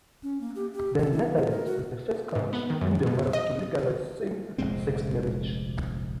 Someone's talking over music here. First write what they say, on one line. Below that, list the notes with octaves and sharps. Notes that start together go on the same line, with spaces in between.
The Netherlands was the first country in the world to legalize same-sex marriage.
C#4
A#3
G4
G4
A4
E4
G#4
A#4
F#4
G#2
B3
D#3
F#2
B2
D#5
F1 A#1 G#3 C4